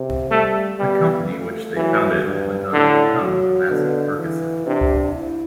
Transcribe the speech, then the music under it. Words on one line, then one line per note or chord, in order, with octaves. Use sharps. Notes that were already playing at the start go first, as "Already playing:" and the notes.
The company which they founded went on to become Massey Ferguson.
Already playing: C3
G3 A3
G3 B3
A3
E3 F#3
G2
A2 D3
F#3
B2 D3
E3
C3 D4
E4